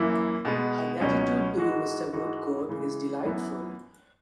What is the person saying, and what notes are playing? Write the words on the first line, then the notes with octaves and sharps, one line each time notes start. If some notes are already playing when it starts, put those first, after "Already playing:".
Her gratitude to you, Mr. Woodcourt, is delightful.
Already playing: F#2 E3 A#3 E4
B2 G#3 B3
C#2 B2 F#3 C#4
G#2 E3 G#3 D#4 F#4
G#2 E3 G#3 D#4 F#4
C#3 E3 G#3
F#2 E3 B3 E4